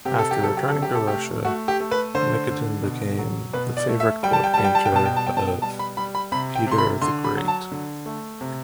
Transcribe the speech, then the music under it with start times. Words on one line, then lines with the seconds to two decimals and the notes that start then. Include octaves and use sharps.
After returning to Russia Nikitin became the favorite court painter of Peter the Great.
0.05 C3 G4
0.19 A4
0.31 G4
0.40 F#3 A4
0.57 G4
0.69 A4
0.75 C3
0.82 G4
0.95 A4
1.08 A3 G4
1.45 A3 F#4
1.68 G4
1.80 A3
1.91 B4
2.14 D3 C5
2.50 D3
2.84 B2
3.19 F#3
3.53 B2 B4
3.77 D5
3.88 A3
4.00 E5
4.23 G3 G5
4.33 A5
4.44 G5
4.54 G3 A5
4.64 G5
4.75 A5
4.85 G5
4.92 B2 A5
5.06 G5
5.16 A5
5.27 B2 G5
5.37 A5
5.47 G5
5.62 G3 A5
5.79 B5
5.97 G3 B5
6.15 B5
6.32 C3 B5
6.56 G5
6.67 C3 C6
6.78 B5
7.02 D3 C6
7.24 B5
7.37 F#3
7.48 A5
7.71 D3
8.06 A3
8.41 C3